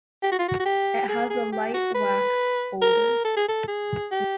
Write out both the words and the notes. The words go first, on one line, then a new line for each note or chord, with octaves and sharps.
It has a light wax odor.
G4
F#4
F4
F#4
F#4
G4
G#4
G#4
G4
F#4
B4
A#4
A4
G#4
A4
G#4
G4